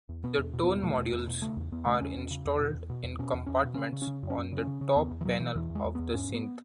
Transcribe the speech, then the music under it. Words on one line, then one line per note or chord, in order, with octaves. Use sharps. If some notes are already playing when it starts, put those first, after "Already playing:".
The tone modules are installed in compartments on the top panel of the synth.
E2
B2 B3
E2
B2
B3
E2
B2 A3
E2
E2
B2
C#3 A3
E2
E2 B3
C#3 A3
E2 C#4
E2
C#3
E2
B2
E2
B2
E2
B2 C#4
E2
E2 C#4
B2
C#3 C#4
C#3
C#4
C#3
F#2
C#4
F#2
C#3
C#4
C#3
C#3
E2 B3
E2
E3
B2 F#3
B2 E3
E2 E3
E2
G#3
E2
E2 B3
G#2 C#4
G#2
B3